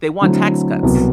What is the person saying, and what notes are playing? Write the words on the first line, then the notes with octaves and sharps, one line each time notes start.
they want tax cuts.
D3 F#3 A3 C4 E4
C2 B2 F#3 B3